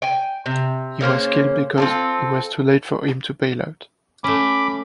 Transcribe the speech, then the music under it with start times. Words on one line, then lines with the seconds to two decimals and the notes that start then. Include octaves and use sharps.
He was killed because it was too late for him to bail out.
0.02 G5 G#5
0.46 C3
1.01 C#3 A#3 C#4 C5
1.78 C4 F4 A4
4.24 A3 C#4 B5 D6